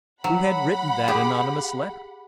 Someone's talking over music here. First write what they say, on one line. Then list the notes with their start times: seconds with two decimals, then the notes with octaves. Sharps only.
Who had written that anonymous letter?
0.24 F#3 F#5 B5
1.08 G4 G#4